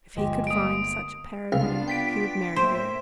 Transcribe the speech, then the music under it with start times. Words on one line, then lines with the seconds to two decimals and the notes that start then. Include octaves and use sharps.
If he could find such a paragon he would marry her.
0.17 G1 F3 G#3 G4
0.47 G3 A#3 D#6 D7
1.52 C2 B3 D4 F4 F5
1.88 G5 B6 D7
2.56 A2 A#3 C5 E5